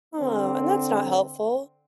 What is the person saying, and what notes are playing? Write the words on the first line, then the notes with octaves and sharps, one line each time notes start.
Oh, and that's not helpful.
D3 C4